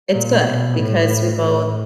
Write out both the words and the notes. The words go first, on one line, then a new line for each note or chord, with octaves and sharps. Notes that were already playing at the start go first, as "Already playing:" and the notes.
it's good because we both
A#2
B2
A2
A2